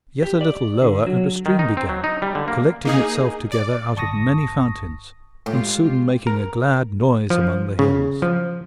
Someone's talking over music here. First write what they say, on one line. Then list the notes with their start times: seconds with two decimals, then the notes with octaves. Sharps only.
Yet a little lower and a stream began, collecting itself together out of many fountains, and soon making a glad noise among the hills.
0.23 G4
0.41 D5
0.82 D3
1.07 F#3
1.46 D#3
1.59 D#4
1.77 C4
1.89 F#3
2.04 D#4
2.22 G3
2.35 D3
2.48 A#3
2.85 A#3 D#4 G#4
3.52 D5
3.96 G1 A5 C#6 D#6 A#6
5.46 A2 G#3 F4 G4
6.27 A#4
7.30 F3
7.79 C#3
8.22 F3